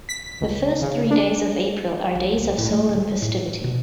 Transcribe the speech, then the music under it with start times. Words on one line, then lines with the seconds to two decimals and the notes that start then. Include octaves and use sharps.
The first three days of April are days of solemn festivity.
0.09 B6
0.41 C#2
0.82 C#3
1.10 D4
2.15 A#1
2.37 C2
2.58 A2
2.71 A3
2.89 D1
3.22 A2
3.64 B2